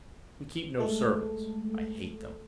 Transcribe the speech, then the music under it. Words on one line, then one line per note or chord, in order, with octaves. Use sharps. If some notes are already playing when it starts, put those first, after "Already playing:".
We keep no servants--I hate them.
G#3 A3 A4